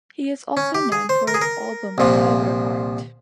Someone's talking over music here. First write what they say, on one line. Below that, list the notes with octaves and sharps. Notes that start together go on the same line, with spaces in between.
He is also known for his album cover art.
C#4
G4
G#4
C5
A#4
G#4
A#4
C2 A#2 F3